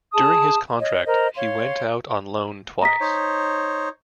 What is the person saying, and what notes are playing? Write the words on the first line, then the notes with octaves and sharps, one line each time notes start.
During his contract he went out on loan twice.
G#4 A5 D#6
C#5 D#5
A#4 C5 D#5
C#5 F5 C6
D#5 A#5 B6
D#4 C5 C#5